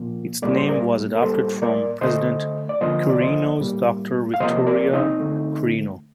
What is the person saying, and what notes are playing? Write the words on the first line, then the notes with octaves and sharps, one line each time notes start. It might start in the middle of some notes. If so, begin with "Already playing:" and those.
Its name was adopted from President Quirino's daughter Victoria Quirino.
Already playing: A#2 F3 A#3
A2 G3 A#3 D5
C5
A#4 D5
A#4
A2 G3 A#3 A4 C5
A#4 D5
D3 A3 C5 D#5
D5
D3 F3 A#3 C5 D#5
D5
C5 D#5
A2 G3 A#3
F5
C3 F3 A#3 C5 D#5
A#4 D5
C4 D#4
D3 A3